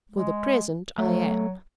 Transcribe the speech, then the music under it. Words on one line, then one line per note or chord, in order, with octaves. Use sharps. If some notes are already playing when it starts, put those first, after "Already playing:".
"For the present I am."
G#3
F#3 A3